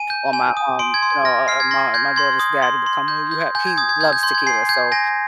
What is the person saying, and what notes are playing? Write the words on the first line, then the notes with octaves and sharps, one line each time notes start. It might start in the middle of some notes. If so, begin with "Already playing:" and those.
Or my, um, uh, um, my my daughter's daddy will come over. "You have" he loves tequila. So
Already playing: G#5 D#7
G6
G#5
D#6
C6 D7
G#6
C6
G#6
F6 A#6
F6 C7
G#6
C6 A#6
G6 G#6
C6 G#6
D#6
C6
C6
G6
G6
G#5 G6
G#6
D#6 G#6
G#6
G6 G#6
G6
C6 G6
G#6
G#5 C7
G6 G#6
G#5 A#6